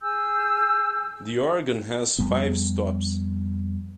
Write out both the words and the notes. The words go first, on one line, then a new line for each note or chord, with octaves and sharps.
The organ has five stops.
G#4 G#5 E6 G6
F2 G3 B3